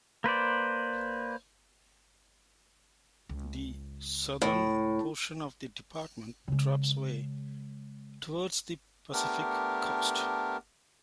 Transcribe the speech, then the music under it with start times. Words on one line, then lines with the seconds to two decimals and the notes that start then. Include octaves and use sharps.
The southern portion of the department drops away towards the Pacific coast.
0.24 A#3 B4 C5 D5
3.29 C#2
4.42 A2
6.48 C#3 G#3
9.13 A3 B3 D4 G4 A#4